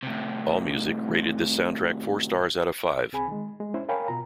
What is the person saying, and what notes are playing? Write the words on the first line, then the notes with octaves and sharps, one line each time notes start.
"Allmusic" rated this soundtrack four stars out of five.
A2 C3
C2 C4 G#4 G#5 B5
D#3 G#3
G#3
C#4 D4 E4 C5
A#4 C#5 F5 G5 G#5 B5
B2 F4 A#5